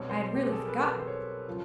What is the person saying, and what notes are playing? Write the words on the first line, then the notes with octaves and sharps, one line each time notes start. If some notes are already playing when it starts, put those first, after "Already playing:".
I had really forgotten.
Already playing: B1 B2 G3 C4 C#5
C5
G4
G#4
A4
A#4
B4
C5
C#5
C#3 F3